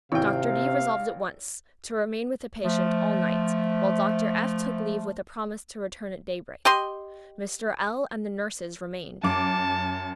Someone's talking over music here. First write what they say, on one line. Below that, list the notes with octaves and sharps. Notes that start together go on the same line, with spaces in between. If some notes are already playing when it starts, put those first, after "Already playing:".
Dr. D---- resolved at once to remain with the patient all night, while Dr. F---- took leave with a promise to return at daybreak. Mr. L--l and the nurses remained.
G#1 C3 E4 F5 G5
F3 A3
G4 D#5 C6
F#2 A5 D6